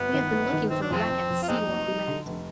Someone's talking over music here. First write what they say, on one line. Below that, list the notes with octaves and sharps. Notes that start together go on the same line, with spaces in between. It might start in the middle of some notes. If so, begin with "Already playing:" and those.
"We have been looking for a wreck at sea or on land!"
Already playing: G1 B3
D#3
G1
D#3
D#3 C4
D4
F2 F3 G#3 C4
F2
F2
F4
D#2 G#3 C4 D#4
F1
G3
D3
F1